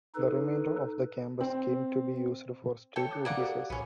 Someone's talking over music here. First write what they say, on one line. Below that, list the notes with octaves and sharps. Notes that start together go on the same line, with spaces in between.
The remainder of the campus came to be used for state offices.
D#4 A4 B4
C4
A4 C#5 G5
D6 F#6
A#3 D5 F#5
F#4 G4 A4
B1 A#2 B3 C#4